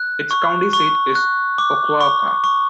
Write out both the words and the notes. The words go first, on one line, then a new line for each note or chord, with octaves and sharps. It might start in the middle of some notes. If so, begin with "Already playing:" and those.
Its county seat is Oquawka.
Already playing: F#6
C#6
C#6
F#6
D6
C#6
C#6